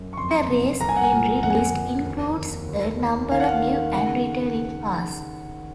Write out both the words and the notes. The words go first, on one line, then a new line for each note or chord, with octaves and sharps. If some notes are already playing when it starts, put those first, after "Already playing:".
The race entry list includes a number of new and returning cars.
Already playing: F#2
C#6
F2 C6
C3
C2 A#5
G#5
F#5
G#5
A#2
F2 F#5
G#5
F#5
F2
D#2
D#2
D#2
D#2
D#3 F5
F#5
F5
D#3
C#3 F#5